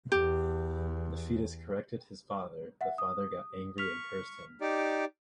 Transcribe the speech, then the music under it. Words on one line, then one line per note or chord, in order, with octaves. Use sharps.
The fetus corrected his father, the father got angry and cursed him.
E2 G4
E5 F#5
D#6
C#6 F6 B6 F7
D#4 G4 D5